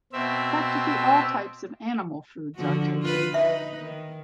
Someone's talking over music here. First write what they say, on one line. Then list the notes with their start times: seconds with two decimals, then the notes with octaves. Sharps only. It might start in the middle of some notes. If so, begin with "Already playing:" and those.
Practically all types of animal foods are taken.
0.13 B2 C4 E5
2.55 D3 F3 F#4
3.02 F4 B4
3.34 D#4 B4 E5
3.82 D#3